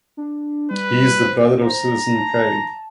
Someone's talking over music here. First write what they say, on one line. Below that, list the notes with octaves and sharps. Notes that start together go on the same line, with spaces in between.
He is the brother of Citizen Kay.
D4
G3 B4
C5
A#5
A5